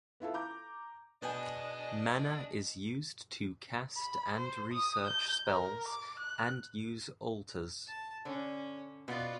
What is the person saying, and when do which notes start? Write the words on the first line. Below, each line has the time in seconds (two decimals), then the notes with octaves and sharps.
Mana is used to cast and research spells and use altars.
0.20 B3 E4 F4 A4
0.34 A#5 D6 G6
1.22 B2 B3 D4 G#4 D#5 G5 G#5
3.97 B5
4.36 C5
4.72 D#6
5.07 G6
5.47 A#4
5.88 D6
6.19 F#6
7.87 A5
8.25 D3 C#4
9.08 B2 B3 F4 D5